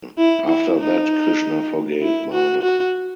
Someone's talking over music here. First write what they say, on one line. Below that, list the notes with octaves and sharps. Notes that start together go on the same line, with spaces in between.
After that Krishna forgave Bana.
E4
E4
D#4
E4
F#4
F#4